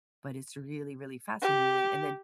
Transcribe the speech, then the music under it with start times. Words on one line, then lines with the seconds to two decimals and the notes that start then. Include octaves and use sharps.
but it's really really fascinating, and then,
1.42 G4